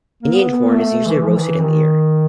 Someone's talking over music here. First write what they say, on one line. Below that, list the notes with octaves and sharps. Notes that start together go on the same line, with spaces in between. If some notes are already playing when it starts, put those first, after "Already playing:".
Indian corn is usually roasted in the ear.
A#3
B3
A3
E3
F3
D#3
E3
D#3